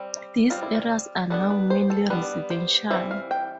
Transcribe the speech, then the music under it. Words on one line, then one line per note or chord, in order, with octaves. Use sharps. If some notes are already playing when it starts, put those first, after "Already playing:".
These areas are now mainly residential.
Already playing: G3 C4
G3 C4 F4
E4
F4
G3 B3 D4 A4
B4
C5
A4
G3 B3 D4 B4
C5
E3 G3 C4 E5
F5
G5